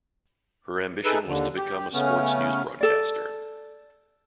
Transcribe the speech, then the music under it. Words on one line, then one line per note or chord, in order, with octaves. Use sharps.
Her ambition was to become a sports newsbroadcaster.
D#4 G#4 A4 B4 E5
D#2 D3
G4
C#3 A3 B3 C#4 F6
A4 D5